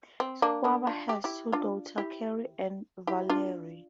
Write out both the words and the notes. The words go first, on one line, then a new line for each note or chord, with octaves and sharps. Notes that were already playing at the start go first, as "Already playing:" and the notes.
Schwaber has two daughters, Carey and Valerie.
C4
A#3 D4
A#3 D4
D4 F4
G4
E4 G4
D4 F4
E4 G4
E4 G4
D4 F4